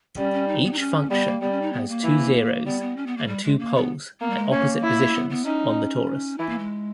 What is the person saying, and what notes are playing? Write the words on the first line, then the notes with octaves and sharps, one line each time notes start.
Each function has two zeroes and two poles at opposite positions on the torus.
G3 C#4
C#4
D#4
B3
D#4
C#4
G3 B3
A#3
G3 B3
C#4
D#4
B3
A#3
E3
G3 B3
B3
C#4
B3
A#3
G3
G#3
A#3
B3
A#3 B3
G3
G#3
A#3 C#4
E4
B3
B3
C#4 D#4
E3 E4
A#3
G#3